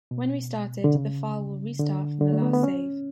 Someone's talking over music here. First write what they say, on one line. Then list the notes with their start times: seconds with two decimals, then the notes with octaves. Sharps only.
When restarted, the file will restart from the last save.
0.11 B2
0.84 D3
0.95 C#3
1.80 D3
2.21 D3
2.32 A3
2.42 B3
2.53 B3
2.63 C#4